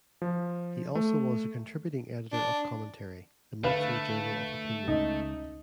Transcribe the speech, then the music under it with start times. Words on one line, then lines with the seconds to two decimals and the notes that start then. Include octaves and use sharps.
He also was a contributing editor of Commentary, the monthly journal of opinion.
0.22 F3
0.95 A3
2.32 D4
3.64 D3 A3 B4 F5
4.88 C#2 C#3 D#4